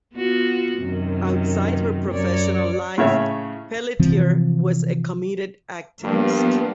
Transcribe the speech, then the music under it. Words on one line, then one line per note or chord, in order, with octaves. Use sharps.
Outside her professional life, Pelletier was a committed activist.
B3 F4 F#4
F#2 C3 D#3
F#2 C#5 D5
A2 C#3 C#5 E5
C3 E3 F3 C4
G2 F3 G3 A#3 B3